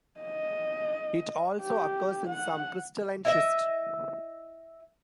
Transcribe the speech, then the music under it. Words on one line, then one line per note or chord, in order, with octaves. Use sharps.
It also occurs in some crystalline schist.
D#5
G4
F#5
E4 D#5 E5